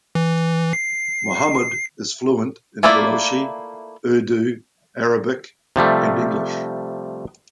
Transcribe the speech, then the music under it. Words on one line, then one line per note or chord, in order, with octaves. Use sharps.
Mohammed is fluent in Balochi, Urdu, Arabic, and English.
E3
C7
A3 A#3 E4 F4 D5
C3 F3 G3 A3